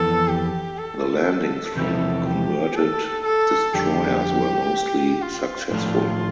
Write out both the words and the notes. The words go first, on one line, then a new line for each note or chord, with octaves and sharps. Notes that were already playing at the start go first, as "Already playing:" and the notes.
The landings from converted destroyers were mostly successful.
Already playing: F2 E3 B3 A4
G4
A4
E2 C3 F3 C4 E4
G4
A4
A4
F2 D3 G3 D4 G4
F4
A2 F3 A3 D4 F4